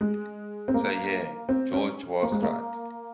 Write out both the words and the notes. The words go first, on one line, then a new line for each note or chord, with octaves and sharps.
So yeah, George was right.
G#3
C4
A#3
C4
C#4
A#3
G#3
A#3